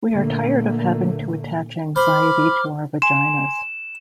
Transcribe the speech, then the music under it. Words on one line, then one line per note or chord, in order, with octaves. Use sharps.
We are tired of having to attach anxiety to our vaginas.
A#2 D3 A3 A#3
C5 B5 D6 F6
G#5 C6 E7